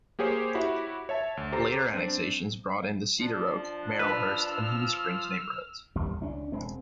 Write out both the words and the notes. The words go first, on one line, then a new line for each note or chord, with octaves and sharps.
Later annexations brought in the Cedaroak, Marylhurst and Hidden Springs neighborhoods.
A#3 G4 G#4 C5 C#5
E4 F#4 G4 C#5 B5
C#5 E5 A5
D2
G4 A4 C5 A#5
C4 D4
F3 D4
B4 E6 F6
G1 D#2 G3
C#2 C#4 D4
E1 G#3 C4